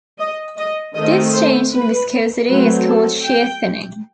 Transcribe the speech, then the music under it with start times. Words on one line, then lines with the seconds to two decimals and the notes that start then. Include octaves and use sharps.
This change in viscosity is called shear thinning.
0.19 D#5
0.57 D#5
0.95 D#3 A3 C4 D#5
1.34 C5
1.73 B4
2.49 F#3 A3 C4 B4
2.88 A4
3.26 G5